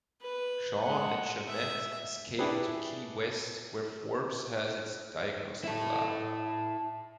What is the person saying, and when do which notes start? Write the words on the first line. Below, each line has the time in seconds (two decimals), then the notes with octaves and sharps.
Sean and Janet escape to Key West where Forbes has its Diagnostic lab.
0.21 B4
0.82 G#3 F#5
1.47 E5
2.39 D4 E4 G4 G#4 B4
5.64 E4 A4